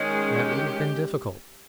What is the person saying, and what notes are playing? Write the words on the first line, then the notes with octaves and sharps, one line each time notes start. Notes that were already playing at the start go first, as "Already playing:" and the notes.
"That would have been difficult."
Already playing: D#3 G#3 C#4 G#4
G4